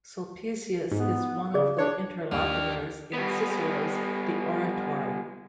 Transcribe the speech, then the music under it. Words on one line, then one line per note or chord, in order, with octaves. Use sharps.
Sulpicius is one of the interlocutors in Cicero's "De oratore".
G#2 B3
C#3 G#4 D5
D4 C#5
D#2 A#3 D4 G4 D5 D#5 F6
G3 B3